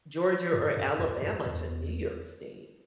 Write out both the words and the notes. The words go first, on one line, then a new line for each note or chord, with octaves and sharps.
Georgia or Alabama to New York State,
G2
F#2
E2
F#2
E2